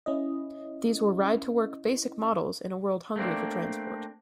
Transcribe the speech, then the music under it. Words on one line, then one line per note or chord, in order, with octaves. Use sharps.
These were ride-to-work basic models, in a world hungry for transport.
C#4 E4 D#5
A3 A#3 C4 D4